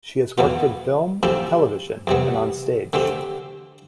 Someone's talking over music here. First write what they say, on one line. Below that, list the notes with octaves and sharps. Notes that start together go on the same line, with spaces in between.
She has worked in film, television and on stage.
E2 B2 B3 F4
A2 F3 C4 E4 G4
E2 C3 G3 B3
D3 A3 C4 G4